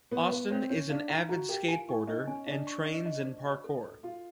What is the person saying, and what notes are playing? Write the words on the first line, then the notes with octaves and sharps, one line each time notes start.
Austin is an avid skateboarder and trains in parkour.
B3 C#5
B3 F5
C4 C#5
C#4 C#5
D4 F5
D#4 A#5
F#4 A#5
G4 A#4
F4 G#5
E4 C#6
D#4 D#5
C#4 G#5
D4 D#5
C#6
D#5
D#5
C5
F#4
A4
A4
F4 F#4